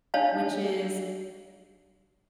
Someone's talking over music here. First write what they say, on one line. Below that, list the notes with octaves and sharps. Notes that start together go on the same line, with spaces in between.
which is
D4 D#4 C#5 D#5 F5 A5